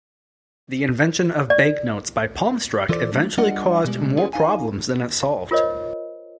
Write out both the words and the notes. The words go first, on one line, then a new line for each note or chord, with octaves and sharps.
The invention of banknotes by Palmstruch eventually caused more problems than it solved.
D5
E3 F4 A4 C5 D5
F#3 A3 D4
G3 D4 F4 D5 D#5 F#5
B2 G3 G#3
B3 C#4 D4 F4 G#4
D#4 F5 G#5
F4 A#4 C5 C#5 D#5